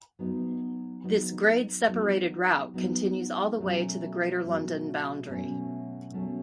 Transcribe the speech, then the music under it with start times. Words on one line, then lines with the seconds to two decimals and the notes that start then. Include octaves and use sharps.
This grade-separated route continues all the way to the Greater London Boundary.
0.19 F#3 B3 D#4
1.04 F#3 B3 D#4
1.88 F#3 B3 D#4
2.74 F#3 B3 D#4
3.59 B2 F#3 A3 C#4
4.44 B2 F#3 A3 C#4
5.29 B2 F#3 A3 C#4
6.13 B2 F#3 A3 C#4